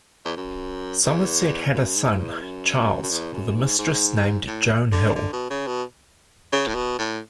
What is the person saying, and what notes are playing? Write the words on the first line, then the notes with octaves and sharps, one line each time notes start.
Somerset had a son, Charles, with a mistress named Joan Hill.
E2
F#2
E2
F#2
G#2
E2
F#2
F#2
E2
F#2
G#2
G#2
A2
D3
D3
B2
C#3
B2
C#3
A2
B2
A2